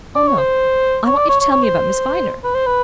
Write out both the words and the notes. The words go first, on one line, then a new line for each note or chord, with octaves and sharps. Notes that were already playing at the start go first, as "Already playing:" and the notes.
"Oh, no. I want you to tell me about Miss Viner."
D5
C#5
C5
C#5
D5
C#5
C#5
C#5
C5
B4
C5
B4